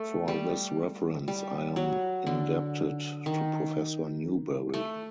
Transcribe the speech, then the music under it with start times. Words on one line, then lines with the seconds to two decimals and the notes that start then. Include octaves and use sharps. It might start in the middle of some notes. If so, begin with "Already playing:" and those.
For this reference I am indebted to Professor Newberry.
Already playing: A3
0.28 G3
1.28 G3
1.76 F#3
2.27 D3
3.26 D#3
4.74 A3